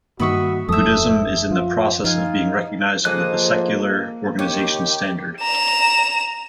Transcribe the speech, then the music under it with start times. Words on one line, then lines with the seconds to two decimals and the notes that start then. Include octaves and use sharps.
Buddhism is in the process of being recognized under the secular organization standard.
0.20 G2 D#3 A#3 F#4 B4 D#5 E5 C#6
0.69 E1 F#2 F3 G#3 A4 E5 D#6
1.50 F3 F4
2.04 F3 D#4 F4 F5 G#5
3.05 F3 A#3 G#4 A4 D#5 D6 F#6
4.39 D#2 G4 C#5
5.41 A#5 E7